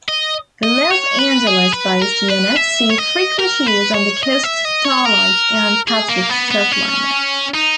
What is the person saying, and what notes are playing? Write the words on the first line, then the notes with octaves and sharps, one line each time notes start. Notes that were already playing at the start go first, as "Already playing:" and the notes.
The Los Angeles-based units see frequent use on the "Coast Starlight" and "Pacific Surfliner".
D#5
D#5
C#5
B4
G#4
B4
A#4
B4
E5
C#5
D#5
A#4
B4
C#5
D#5
E5
D#5
C#5
A#4
G#4
A#3
B3
B3
C#4
D#4